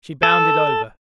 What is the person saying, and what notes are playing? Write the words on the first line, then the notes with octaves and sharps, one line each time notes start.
She bounded over.
A4